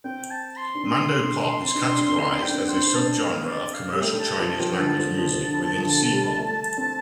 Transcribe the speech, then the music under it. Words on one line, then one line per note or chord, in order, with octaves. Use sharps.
Mandopop is categorized as a subgenre of commercial Chinese-language music within C-pop.
C4 G5
A5
C6
D4
C4 C6
C4
C4
D4
C4
D4
C4
D4
C4
D4 G5
C4
D4 C5
C4
D4
C4 A5
F5
D5
F5
G3
A3 G5
A5
F3 A5
F3 G5
D3 A5
F3
F3
F3
D3
F3
F3
D3
G3
A3
C4